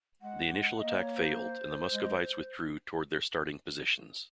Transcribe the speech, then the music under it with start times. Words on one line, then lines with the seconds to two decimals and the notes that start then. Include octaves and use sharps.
The initial attack failed, and the Muscovites withdrew toward their starting positions.
0.22 G#3 F#5
0.51 G#3
0.79 A#3 D#5
0.98 C#5
1.17 C5
1.93 G#3